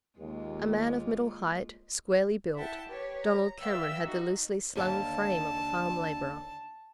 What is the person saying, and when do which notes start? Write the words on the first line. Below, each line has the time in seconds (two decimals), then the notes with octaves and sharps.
A man of middle height, squarely built, Donald Cameron had the loosely slung frame of a farm labourer.
0.19 D#2 G#3 A#3 F4
2.55 E4 E5 F#5 G5 A5
2.88 G4 B4 C#5
3.22 A#5
3.59 B4 D5 E5 F5 G5 E6
4.02 D#4 F#4
4.75 D#2 D3 F5 A5